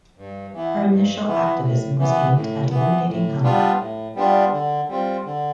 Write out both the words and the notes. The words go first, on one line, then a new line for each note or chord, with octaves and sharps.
Her initial activism was aimed at eliminating hunger.
G2
E3 B3 E4
G2
E3 B3 E4
A2
E3 B3
A2
E3 B3
A2
G3 B3 D4 F4
A2
G3 B3 D4 F4
D3
G3 C4 F4
D3